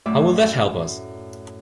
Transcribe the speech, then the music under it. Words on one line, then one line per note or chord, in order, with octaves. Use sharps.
How will that help us?
F#2 A2 A3 D5 E5 D6